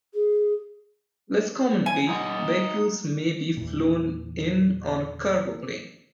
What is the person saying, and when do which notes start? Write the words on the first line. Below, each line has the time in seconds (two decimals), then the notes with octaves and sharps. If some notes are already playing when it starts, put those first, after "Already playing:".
Less commonly, vehicles may be flown in on a cargo plane.
0.14 G#4
1.86 G#5
2.09 D#4 F#5
3.57 E2 A#2